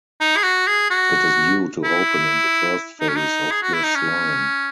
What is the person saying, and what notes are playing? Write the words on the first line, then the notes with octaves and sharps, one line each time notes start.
It is due to open in the first phase of this line.
D#4
G#4
F#4
G#4
F#4
E4
D#4
C#4
D#4
G#4
F#4
E4
D#4
C#4